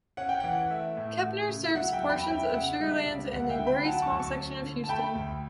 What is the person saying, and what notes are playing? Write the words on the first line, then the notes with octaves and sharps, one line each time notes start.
Kempner serves portions of Sugar Land and a very small section of Houston.
C#4 F#5
G5
E3 F#5
A3 E5
A2
A3
C#3
E5
F#3 F#5
E5 G5
E2
G5 B5
C#4 E5 G5
E5
C#3 F#5
G3 E5
C#2
D2 F#5
E5 G5
D3
G5 B5
F#3 F#5 A5
A5 C#6
D2
A5 C#6
C#4
D3
A5
A3 G5 B5
D2